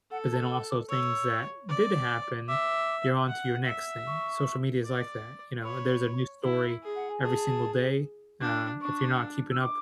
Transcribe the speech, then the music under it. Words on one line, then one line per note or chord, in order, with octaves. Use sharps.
but then also things that did happen, you're on to your next thing. Social media is like that, you know, there's a new story every single day, uh, if you're not keeping up
A4 F#5
A5
D6
D6
C#5 E6
D5
E5 D6
F#5
E5
C#6
D5
C#5 B5
E4
G#4
F#5
G#5
G#4 A5
D4
D4 C#6
E6
D6